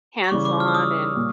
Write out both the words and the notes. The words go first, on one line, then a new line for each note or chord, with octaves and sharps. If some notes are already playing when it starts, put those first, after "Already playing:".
hands-on and
C#6
C#3 E3 G3 D6
D6
F6
E6
D#6
A#2 G3